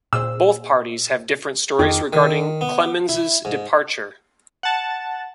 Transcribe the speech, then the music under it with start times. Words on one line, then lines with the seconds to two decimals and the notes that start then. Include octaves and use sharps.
Both parties have different stories regarding Clemens's departure.
0.13 A#2 G#4 C5 E6
1.79 F2 D#3 G#4 D6
2.13 D#3
2.61 B3
3.09 E4
3.45 G#2
4.63 F#5 A5